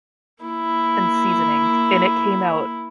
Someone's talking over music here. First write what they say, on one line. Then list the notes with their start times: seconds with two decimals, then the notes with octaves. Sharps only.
and seasonings, and it came out
0.43 A#3 E4